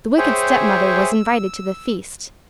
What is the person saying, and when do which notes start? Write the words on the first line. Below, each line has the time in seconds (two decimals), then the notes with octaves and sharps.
The wicked stepmother was invited to the feast.
0.18 G#4 C5 C#5 E5 G5 G#5
1.11 E6